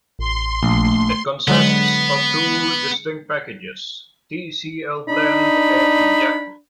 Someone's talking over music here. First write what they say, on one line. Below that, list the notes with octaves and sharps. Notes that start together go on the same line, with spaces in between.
It consists of two distinct packages, Tcl Blend and Jacl.
A1 C6
A#1 A3
D3 F#3 G#3 B3
D4 D#4 B5